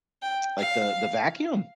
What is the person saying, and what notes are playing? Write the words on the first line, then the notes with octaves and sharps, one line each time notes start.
Like the the vacuum?
G5
F5